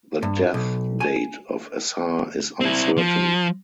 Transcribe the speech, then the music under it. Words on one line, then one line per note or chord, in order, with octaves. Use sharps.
The death date of Assar is uncertain.
G2
B1
G#5
C4 E4
F3